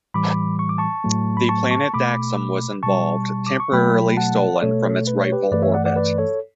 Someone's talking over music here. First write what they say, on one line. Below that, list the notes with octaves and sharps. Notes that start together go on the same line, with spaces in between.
The planet Daxam was involved, temporarily stolen from its rightful orbit.
A2 E3 G3 B5 D6
C#6
D6
A5 C#6
A2 F#3 A3
B5
A5 C#6
A5 C#6
B2 A3 B5 D6
B2 G3 A5 C#6
D6
C#6
B2 F#3 A3 G5 B5
F#5 A5
D5
B2 A3 A4 C#5
B4
C#5
G4 B4
G2 E3 A3 B4 D5
C#5 E5
D5 F#5
D5 F#5
B4 D5
A4 C#5